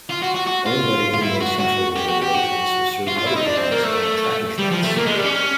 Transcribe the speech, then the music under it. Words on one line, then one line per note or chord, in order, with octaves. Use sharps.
Owned by the Illinois Central Railroad, it also served other companies via trackage rights.
F4
F#4
F#4
F#4
F4
F4
E4
F#4
F#4
G4
F#4
G4
F#4
F4
F4
E4
D#4
D4
C4
A#3
A3
G3
F3
A3
A#3
G#3
G3
C#4